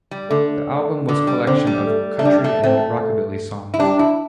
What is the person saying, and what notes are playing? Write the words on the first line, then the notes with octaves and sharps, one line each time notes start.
The album was collection of country and Rockabilly songs.
G3
D3 A3
A3
D3
G3
D3 C4
G3
A3
A3
G3 D4
A3
A3 C4
A3
E4
G3 D4
E4